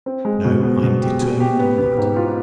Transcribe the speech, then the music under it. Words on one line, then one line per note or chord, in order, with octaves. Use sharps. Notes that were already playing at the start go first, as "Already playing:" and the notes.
No: I'm determined on that.
C4
G#3
B2
B2
B2
G4
B2
G4
B3
B3
G#2
F4